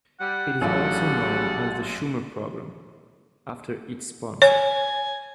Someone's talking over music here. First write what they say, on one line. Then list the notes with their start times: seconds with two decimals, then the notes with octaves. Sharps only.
It is also known as the Schumer program, after its sponsor.
0.20 G3 F#5
0.61 A1 C#3 F#3 G3 F4 A4 F#5
4.42 C#5 G#5